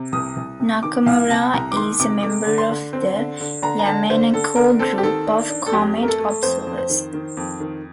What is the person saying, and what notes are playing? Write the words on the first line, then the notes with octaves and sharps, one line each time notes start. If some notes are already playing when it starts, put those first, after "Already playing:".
Nakamura is a member of the Yamaneko Group of Comet Observers.
Already playing: C3
C2 D#6
C2
C3
D#3 D6
C2 F5
C3 A5
C2 A#5
D6
D#3 C6
C3 D6
A3 D6
D3
C6
D3
C4
D3
D3
D3 A#5
A#5
D3 A5
D3 C5
D3 A4
D3 A#4
C4 A4
G4
D#3 A4
D4
D4
A4
F2 G4
A3
A#4
A4
A3
F2 C5
F2
C5
D#3
D#3
F2
D#3